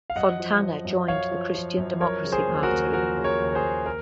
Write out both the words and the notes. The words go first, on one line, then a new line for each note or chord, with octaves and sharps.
Fontana joined the Christian Democracy Party.
F5
F#2 D#5 F#5
F3
F3
F#2
F#2 C#5 F5
F3
F3
F#2
F3 A#4 C#5
C#3
G#4 C5
D#2
F#4 A#4
D#2
F3 F#4 A#4
C#3
A#4 C#5
D#2
G#4 C5
D#2
A#4